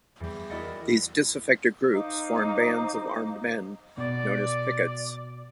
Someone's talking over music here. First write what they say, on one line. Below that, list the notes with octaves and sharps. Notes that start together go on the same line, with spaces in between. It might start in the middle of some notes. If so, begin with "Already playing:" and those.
These disaffected groups formed bands of armed men known as "piquets".
E2 G3
E4 F#4 A#4 D5 D#5 F#5
D#4 C5 F5 D6
B2 D5